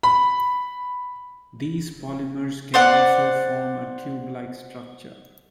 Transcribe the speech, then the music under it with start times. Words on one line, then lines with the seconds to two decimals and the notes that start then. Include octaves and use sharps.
These polymers can also form a tube-like structure.
0.03 B5
2.74 C5 D5 F#5